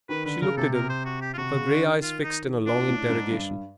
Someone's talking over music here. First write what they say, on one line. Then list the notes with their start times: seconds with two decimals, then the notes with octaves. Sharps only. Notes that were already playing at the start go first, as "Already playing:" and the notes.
She looked at him, her grey eyes fixed in a long interrogation.
0.09 D#3 B4
0.25 D3 B4
0.42 C#3 A#4
0.57 C3 A4
0.74 A#4
0.89 C5
1.06 F#4
1.22 G4
1.34 F4
1.38 C3 F#4
1.54 C#3
1.70 D3
1.87 D#3
2.02 F4
2.23 D#4
2.66 A#2 D4
2.88 A2
3.09 G#2
3.31 G2